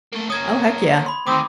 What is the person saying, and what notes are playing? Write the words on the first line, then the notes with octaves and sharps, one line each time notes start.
Oh, heck yeah.
A3 A#3
A#3 C#4 D#6 G#6
B5 C6
D2 D#3 C4 D6 D#6